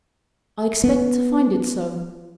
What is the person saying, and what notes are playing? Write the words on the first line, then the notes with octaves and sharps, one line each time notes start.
I expect to find it so.
B3